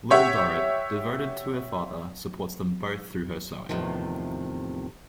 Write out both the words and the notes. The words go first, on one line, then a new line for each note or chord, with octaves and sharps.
Little Dorrit, devoted to her father, supports them both through her sewing.
G4 C#5 E5 F#5
E2 A2 C3 D#3 F3